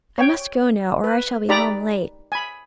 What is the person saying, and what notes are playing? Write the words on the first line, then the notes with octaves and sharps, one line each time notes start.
I must go now or I shall be home late.
C#5 G5
B4
D#4 G4 D5 A#5 B5
G#5 B5